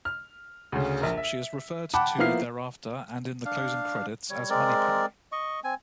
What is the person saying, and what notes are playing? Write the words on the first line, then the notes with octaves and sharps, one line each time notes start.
She is referred to thereafter, and in the closing credits, as Moneypenny.
F6
D2 C#3
A#1 A#4
E5
F#5 G5 A5 B5 D6
F3 A#3 B3 E4 F6 C7
D4 F5
G3 C#5
G#3 C4 A#4 D5
D#5 C#6
C4 G#5